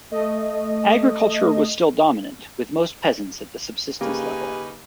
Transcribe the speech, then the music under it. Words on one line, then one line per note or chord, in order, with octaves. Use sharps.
Agriculture was still dominant, with most peasants at the subsistence level.
A3 D#5
C#3 A#3 D#4 G4 B4 G#5